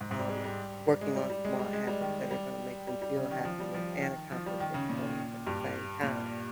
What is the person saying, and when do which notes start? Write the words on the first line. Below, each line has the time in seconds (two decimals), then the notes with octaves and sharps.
um, working on small habits that are gonna make them feel happier and accomplish their goals at the same time,
0.01 G#2
0.11 G#2
0.19 G3
0.29 G#3
0.44 G3
0.87 G3
1.01 G#3
1.16 G3
1.30 G3
1.45 G#3
1.59 G3
1.73 G#3
1.87 G3
2.01 D#3
2.31 G3
2.87 G3
3.02 G3
3.17 C#3
3.31 D#3
3.45 F3
3.60 G3
3.74 F3
4.02 D#3
4.32 F3
4.46 G3
4.60 D#3
4.74 C#3
4.89 A#2
5.47 G2
6.03 A#2